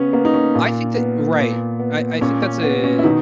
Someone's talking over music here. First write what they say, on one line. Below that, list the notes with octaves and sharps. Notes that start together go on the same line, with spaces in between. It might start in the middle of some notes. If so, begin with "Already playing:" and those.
I think that right, I I think that's a it
Already playing: C#3 B3 C#4
A#3 B3
D#4
C#4
A#2
B3
A#2
B3
A#2 C#4
C#4
B3
C#4
E4
B2 D#3 D#4